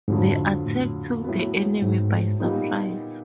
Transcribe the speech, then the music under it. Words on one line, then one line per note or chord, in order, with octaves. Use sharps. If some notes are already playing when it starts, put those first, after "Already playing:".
The attack took the enemy by surprise.
F2 G#2 D3 F#3
A2
A2 F#3 B3
G#2
A#2 G3 B3 D#4